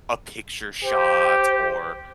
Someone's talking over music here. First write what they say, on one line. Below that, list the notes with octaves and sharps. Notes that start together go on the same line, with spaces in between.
a picture shot or,
G4 C5